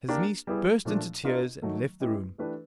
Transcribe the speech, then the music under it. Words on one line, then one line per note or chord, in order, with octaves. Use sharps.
His niece burst into tears and left the room.
A#3 D4 G4 A#4
G3 B3 E4 G#4
A#2 F3 A3 D4
B3 D4 F4 A#4 D#5
D#3 F#3 A3
G#3 C#4 E4 G4 B4
E3 A3 D4 G4 B4